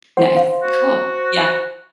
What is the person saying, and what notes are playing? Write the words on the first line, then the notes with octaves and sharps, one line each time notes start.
Nice, cool, yeah,
C5 F#5
F5
F#4